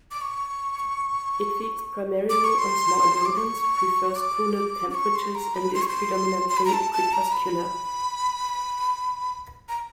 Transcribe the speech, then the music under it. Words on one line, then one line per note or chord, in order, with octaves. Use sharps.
It feeds primarily on small rodents, prefers cooler temperatures, and is predominately crepuscular.
D6
C#6
D6
C#6
C6
D6
C#6
D6
D6
C#6
C6
A#5
B5
C6
C#6
C6
C6
B5
A#5
A5
A5
A#5
B5
A#5